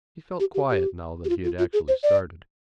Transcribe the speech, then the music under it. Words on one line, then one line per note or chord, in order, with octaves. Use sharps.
He felt quiet now that he had actually started.
G4
G4
G4
G4
F4
F4
F4
G#4
C5
D5